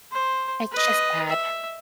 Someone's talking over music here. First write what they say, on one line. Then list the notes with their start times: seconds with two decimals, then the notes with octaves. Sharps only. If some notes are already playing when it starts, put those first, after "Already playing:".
It's just bad.
0.12 C5
0.72 B4 D#5
1.28 E5